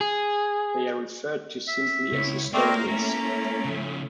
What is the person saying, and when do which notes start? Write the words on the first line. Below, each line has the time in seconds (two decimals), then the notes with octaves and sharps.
They are referred to simply as "the stowaways".
0.01 G#4
1.67 E5
2.12 C#2 E4 C#5
2.53 A3 A#3 C4 A#4 C5 D5
2.87 A3 C#4 E4 A#5
3.65 C#3 F3